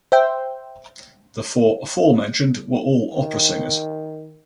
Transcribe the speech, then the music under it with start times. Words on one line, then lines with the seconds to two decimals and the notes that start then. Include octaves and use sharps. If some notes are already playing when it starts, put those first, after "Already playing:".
The four aforementioned were all opera singers.
0.12 C5 E5 G5
3.13 D#3